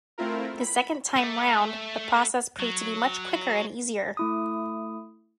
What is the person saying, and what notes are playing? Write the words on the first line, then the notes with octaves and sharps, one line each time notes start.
The second time round, the process proved to be much quicker and easier.
A3 C4 E4 F4 A#4
B5
A3
F#3
A3 E4 D#6